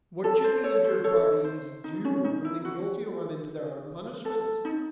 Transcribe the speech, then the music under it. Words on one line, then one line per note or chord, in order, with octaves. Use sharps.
What should the injured parties do when the guilty run into their own punishment?
A4
C5
A4 C#5
C5
A4 C#5
C5
D#4
C#4
D#4
E4
F#4
A4
D#4